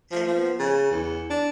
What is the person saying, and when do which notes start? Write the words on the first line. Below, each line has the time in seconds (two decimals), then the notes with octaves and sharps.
and then
0.11 F3
0.26 F3
0.59 C#3
0.91 E2
1.30 D4